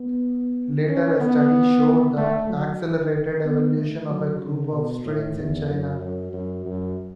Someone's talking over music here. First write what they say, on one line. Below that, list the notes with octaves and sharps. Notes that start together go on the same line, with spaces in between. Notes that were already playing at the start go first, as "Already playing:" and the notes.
Later a study showed that accelerated evolution of a group of strains in China.
Already playing: B3
C#4
B3
A3
F#3
B3
A3
F#3
C#3
B2
A2
E2
F#2
F#2
F#2
F#2